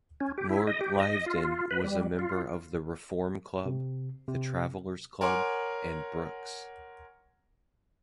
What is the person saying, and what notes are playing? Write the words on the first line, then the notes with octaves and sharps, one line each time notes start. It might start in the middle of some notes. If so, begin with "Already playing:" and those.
Lord Lyveden was a member of the Reform Club, the Travellers Club, and Brooks's.
C#4
G4
E4
D#5
G4
D#5
F4
B4
G3
F4
C3
C3
A#4 C#5 F#5 G#5 C6 D6